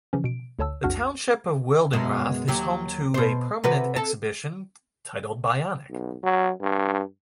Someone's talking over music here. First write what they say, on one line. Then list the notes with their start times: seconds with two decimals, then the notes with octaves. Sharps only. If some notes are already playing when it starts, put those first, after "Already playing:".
The township of Wildenrath is home to a permanent exhibition, titled "Bionic".
0.13 C#3 E3 F3 C#4
0.24 B2 D7
0.59 D2 D3 C#5 A5 E6
0.84 B1 F2 D4 F#4 F#5 F6
1.93 F#2 B2 G#3
2.48 D#2 F#3 G4
3.14 B2 C5
3.64 C3 F#4 B4
3.96 A4
5.90 B1
6.23 F#3
6.61 G2